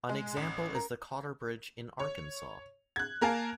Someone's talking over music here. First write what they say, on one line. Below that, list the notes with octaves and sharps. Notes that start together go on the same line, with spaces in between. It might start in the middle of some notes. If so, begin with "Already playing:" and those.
An example is the Cotter Bridge in Arkansas.
G#3
A1
A#4
C#5
F#6 G#6
A#3 A#4 F5 G#5 A5